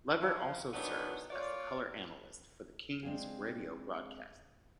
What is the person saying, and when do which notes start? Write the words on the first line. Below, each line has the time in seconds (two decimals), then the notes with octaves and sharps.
Lever also serves as the color analyst for the Kings radio broadcasts.
0.20 F3
0.73 D#3 E3 F#3 B3 D4 D#4
1.31 A#2 F4 C#5 D5
3.03 G#3 C4 D4 F4 G#4